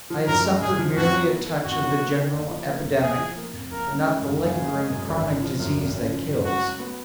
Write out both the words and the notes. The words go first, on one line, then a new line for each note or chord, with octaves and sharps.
I had suffered merely a touch of the general epidemic, not the lingering, chronic disease that kills.
F3
F#2 A#4
G#3
F#2 G#4
F3
F2 F#4
F#3
B3
D#3
F2 F#4
F#3
B3
D#3
F#1
F3
A#3
F2
F#1 G#4
F3
A#3
F2
F#1 A#4
C#3
G#3
F#2
F#1 G#4
C#3
G#3
F#2
G#1
C#3
F3
F#2
G#1
C#3
F3
F#2
C#2 F#4
F#3
B3